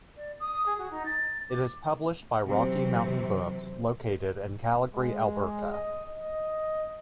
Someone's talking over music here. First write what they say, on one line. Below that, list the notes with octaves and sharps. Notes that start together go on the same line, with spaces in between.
It is published by Rocky Mountain Books, located in Calgary, Alberta.
D5
D#6
G#4
F#4
D#4
A6
D6
C3 E3 F#3 C4
G#3
D#5
D#5